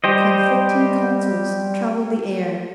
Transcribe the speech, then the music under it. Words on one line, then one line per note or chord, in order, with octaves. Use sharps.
Conflicting counsels troubled the air.
G3 G4 C5 D#5